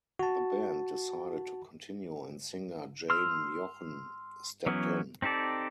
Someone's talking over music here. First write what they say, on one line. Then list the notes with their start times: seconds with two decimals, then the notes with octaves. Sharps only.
The band decided to continue and singer Jane Jochen stepped in.
0.19 F#4 A5
3.10 C6 E6 F6
4.66 E3 F#3 B3 C#4 E4
5.22 C4 D#4 G4 A4 D5